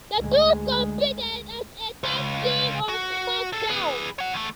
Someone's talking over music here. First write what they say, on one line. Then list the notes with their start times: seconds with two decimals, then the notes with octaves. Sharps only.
The two competed as a tag team on SmackDown!
0.17 D2 G#3
2.04 C#2
2.89 F#4
3.53 G#4 A4
3.70 G#4 B4
4.19 C#5 F#5
4.32 E2 A3